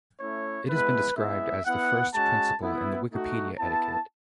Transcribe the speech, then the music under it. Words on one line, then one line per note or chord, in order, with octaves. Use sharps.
It has been described as "the first principle in the Wikipedia etiquette".
A3 C#4 E4 C#5
G#3 B3 E4 B4
G#3 B3 E4 E5
B3 E4 F#5
G#3 C#4 F#4 A5
B3 E4
A3 D#4 F#4
B3 E4 A5